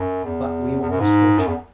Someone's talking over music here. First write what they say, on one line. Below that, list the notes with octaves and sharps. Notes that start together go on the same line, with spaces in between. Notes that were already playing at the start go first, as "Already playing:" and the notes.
But we were most fortunate.
Already playing: F#2
E2
E2
F#2
G#2
F#2
E2